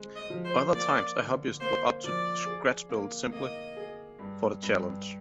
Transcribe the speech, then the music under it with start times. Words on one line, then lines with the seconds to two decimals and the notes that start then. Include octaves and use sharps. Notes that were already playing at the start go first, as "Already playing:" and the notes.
Other times a hobbyist will opt to scratchbuild simply for the challenge.
Already playing: G#3 C4
0.16 D#5
0.30 F3
0.45 C5
0.74 A#3 D5
1.17 D3
1.60 A#3 C5
2.04 F3 D5
2.46 G#4
2.89 A#3
3.32 A#3 D#5
3.77 G#4
4.19 G2
4.63 G2